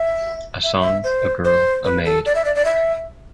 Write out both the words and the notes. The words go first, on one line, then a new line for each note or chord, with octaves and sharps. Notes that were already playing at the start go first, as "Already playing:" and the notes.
A song, a girl, a maid.
Already playing: E5
E5
E5
C5
C5
B4
A4
D5
E5
D5
D5
E5